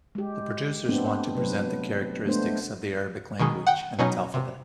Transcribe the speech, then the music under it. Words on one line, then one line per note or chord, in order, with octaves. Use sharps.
The producers wanted to present the characteristics of the Arabic language and its alphabet.
G#3 G4
A3 B3 C4 D4
C3 F#3 B4
G#3 A3 B3 D4 C5
B2 D#3 G#3
F#5 G5
B2 F#3 C#4 D#4
C3